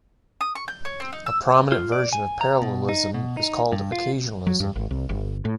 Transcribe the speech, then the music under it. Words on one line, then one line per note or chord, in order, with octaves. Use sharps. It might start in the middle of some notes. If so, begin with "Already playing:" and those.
A prominent version of parallelism is called occasionalism.
D#6
C#6
G6
C#5
C4
D#4
E6
F4
D5
G#5
A#5
B2
D#4
B2
D#4
G2
F4
F#3
G2
G#1
C2
G1
A2